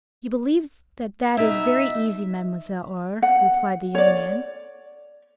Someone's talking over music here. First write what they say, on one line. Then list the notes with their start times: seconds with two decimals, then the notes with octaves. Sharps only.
"You believe that that is very easy, Mademoiselle Aure," replied the young man.
1.37 B2 D#4 E5
3.22 F#5
3.95 C#5 D5